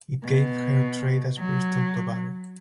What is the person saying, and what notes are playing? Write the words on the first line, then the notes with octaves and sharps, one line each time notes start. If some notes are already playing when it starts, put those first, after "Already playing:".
It gave her trade as Bristol–Tobago.
B2
F#3